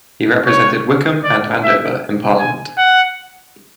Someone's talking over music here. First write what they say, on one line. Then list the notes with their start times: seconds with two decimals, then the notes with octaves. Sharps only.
He represented Wycombe and Andover in Parliament.
0.47 C#5
1.24 D5
1.63 E5
2.39 G#5
2.78 F#5